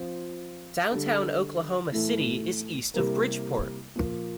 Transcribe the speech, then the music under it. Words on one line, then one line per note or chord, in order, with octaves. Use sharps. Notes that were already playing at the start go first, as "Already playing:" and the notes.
Downtown Oklahoma City is east of Bridgeport.
Already playing: F3 C4 F4
D3 G3 D4 A4
A2 E3 A3 E4 A4
C3 G3 A#3 E4 A#4
A#2 F3 A#3